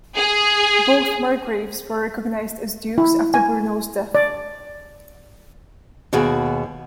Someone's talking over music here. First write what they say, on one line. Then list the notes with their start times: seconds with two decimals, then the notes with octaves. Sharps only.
Both margraves were recognised as dukes after Bruno's death.
0.17 G#4
2.98 E4
3.34 G#5
4.15 D5
6.13 D#2 B2 F#4 G#4